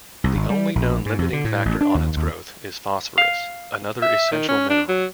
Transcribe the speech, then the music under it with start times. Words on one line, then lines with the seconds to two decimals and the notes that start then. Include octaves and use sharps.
The only known limiting factor on its growth is phosphorus, another essential mineral.
0.24 C2
0.35 G#1
0.50 G3
0.75 A#1
1.06 G#2
1.19 F2
1.33 D3
1.45 A2
1.65 A1
1.81 D4
1.95 D#2
2.17 D#2
3.18 F5
4.02 E5
4.32 D#3
4.48 C#4
4.70 D4
4.89 F#3